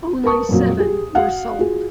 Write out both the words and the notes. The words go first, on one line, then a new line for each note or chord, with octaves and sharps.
Only seven were sold.
A#4 B4 A5 C#6 D#6
F2 A#2 F#3
G4 G#4
F#4 F5 F#5
F4 F#4 G#4